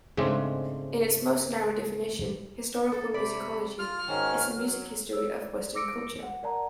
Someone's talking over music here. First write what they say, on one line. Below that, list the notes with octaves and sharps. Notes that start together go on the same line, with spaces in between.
In its most narrow definition, historical musicology is the music history of Western culture.
G#2 C#3 G#3 A3 C4 D4
A4
C3 D5 B5
F4 F6
G#2 D#3 C#4 F#4
F#3
C#5 E6
D5
D6 E6 A#6 C#7 D7
F#5
A#4 D5 F#5 A5 A#5